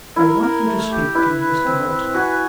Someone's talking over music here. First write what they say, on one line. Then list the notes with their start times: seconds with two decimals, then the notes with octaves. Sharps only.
'I want you to speak to Mr. Moulton....
0.16 E4 A#4
0.42 A#4
0.65 A3
0.91 G4
1.15 E4 B4
1.40 B4
1.64 C4
1.89 B4
2.14 F#4 G#5